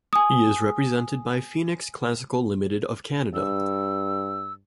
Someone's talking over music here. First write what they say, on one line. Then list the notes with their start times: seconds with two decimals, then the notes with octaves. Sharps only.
He is represented by Phoenix Classical Limited of Canada.
0.13 G#5 D#6
3.34 G2 E6